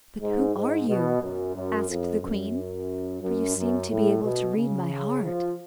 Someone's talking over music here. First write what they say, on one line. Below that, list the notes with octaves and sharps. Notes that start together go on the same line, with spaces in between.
'But who are you?' asked the queen, 'for you seem to be able to read my heart.'
G#2
G#2
B2
F#2
F#2
F2
F#2
F#2
F#2
A2
B2
C#3
F3